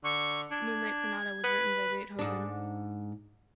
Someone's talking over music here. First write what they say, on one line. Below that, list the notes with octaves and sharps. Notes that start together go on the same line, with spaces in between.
"Moonlight Sonata" was written by Beethoven.
D3 C#6
D4 G#6
B4
G#2 D4